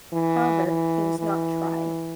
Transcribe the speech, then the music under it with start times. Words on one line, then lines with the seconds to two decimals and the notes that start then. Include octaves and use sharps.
However, he was not tried.
0.13 E3
0.66 E3
1.19 E3